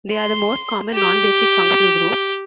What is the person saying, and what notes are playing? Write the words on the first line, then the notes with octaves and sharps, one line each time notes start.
They are the most common non-basic functional group.
C6
G4